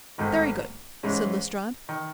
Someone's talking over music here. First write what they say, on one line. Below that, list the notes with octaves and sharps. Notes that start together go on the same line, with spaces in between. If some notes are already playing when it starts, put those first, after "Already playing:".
"Very good," said Lestrade.
G#1 G#2 D#3 A3
G#2 E3 G#3 C#4
D#3